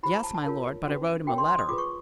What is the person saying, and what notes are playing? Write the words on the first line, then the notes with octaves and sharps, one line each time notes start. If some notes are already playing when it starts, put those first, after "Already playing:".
"Yes, my lord; but I wrote him a letter."
E4 G4 C5 B5
A#5
A5
A5
F4 A#4 C#5
C#4 F#4 B4
F#4 A#4 C#5 G5
C6
C6
D#6
F4 G#4 B4 D6
C#6